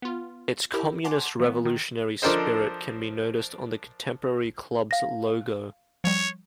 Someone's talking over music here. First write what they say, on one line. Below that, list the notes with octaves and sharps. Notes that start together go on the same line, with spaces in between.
Its communist revolutionary spirit can be noticed on the contemporary club's logo.
B3 F4
E4 G4 A#4
F#5 G#5 A5 C6 D6
E3 A#3 B3
D#3
F3 D4 A4 A#4 C5 D#5
F5 A#6
F3 G3 C#5